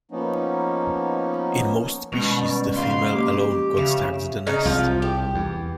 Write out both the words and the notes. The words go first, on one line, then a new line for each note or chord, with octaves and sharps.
In most species the female alone constructs the nest.
F3 A#3 B3 C#4 D#4
B2 D#3 G3 G#3 C#4 F#4
F2 G#2 C#3 F5 C6
A#3 G4 D6
C#3 E5 F5
C#3 D#4
C2 F3 F4
G4
E2